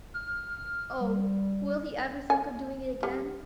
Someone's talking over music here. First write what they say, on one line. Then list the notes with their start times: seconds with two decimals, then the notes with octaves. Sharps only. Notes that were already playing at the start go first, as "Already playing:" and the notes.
Oh! will be ever think of doing it again!
0.14 F6
1.00 G3
2.30 G#5
3.03 G3